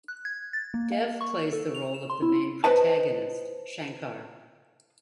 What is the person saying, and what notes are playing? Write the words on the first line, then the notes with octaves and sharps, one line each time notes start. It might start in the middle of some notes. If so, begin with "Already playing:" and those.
Dev plays the role of the main protagonist, Shankar.
F#6
G#6
A6
A#3
F5
C#6
A4
F7
E7
C6
E4
B4 C5 D#5 A5